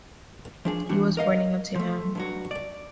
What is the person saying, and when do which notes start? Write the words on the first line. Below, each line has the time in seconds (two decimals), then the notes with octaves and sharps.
He was born in Nottingham.
0.65 F3 D4 G#4
0.89 E3 G3 D4 F#4
1.17 A#4 D#5 F5
1.75 F3 A3
2.15 G2 F#3 F#4
2.51 D5